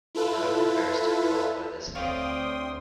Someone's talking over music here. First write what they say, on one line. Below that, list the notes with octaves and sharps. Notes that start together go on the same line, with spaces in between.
He now prefers to be called by this name.
E4 F4 A4 B4
D2 C4 C#5 D5 F5 G5 C6 D#6